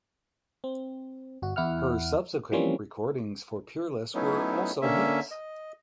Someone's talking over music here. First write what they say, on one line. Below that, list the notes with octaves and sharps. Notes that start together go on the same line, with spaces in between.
Her subsequent recordings for Peerless were also hits.
C4
G1 F#4
E2 E4 F#5 F6
E3 F3 G3 A#3 C4 C#4
F#3 A3 B3 C#4 D#4 E4
D3 A#3 C#4 E5
D#5